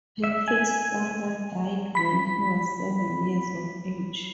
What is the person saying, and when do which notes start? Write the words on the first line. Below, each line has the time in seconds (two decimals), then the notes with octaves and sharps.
Patrick's father died when he was seven years of age.
0.24 E5
0.48 G#5
1.95 B5 B6